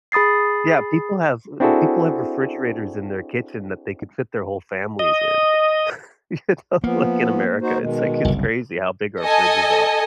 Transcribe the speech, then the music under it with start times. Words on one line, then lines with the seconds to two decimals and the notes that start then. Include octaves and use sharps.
Yeah, people have uh uh, people have refrigerators in their kitchen that they could fit their whole families in, you know, like, in America, it's, like, it's crazy how big our fridges are.
0.12 G#4 B5 D#6 A6 C7
1.60 C4 D4 E4 F#4 G#4 A4
4.99 D#5
6.84 F3 A#3 B3
7.62 D#4 F#4 C5
7.80 B2 D#3 G#3
8.25 F#1 C2
9.21 A4 D#5 G#5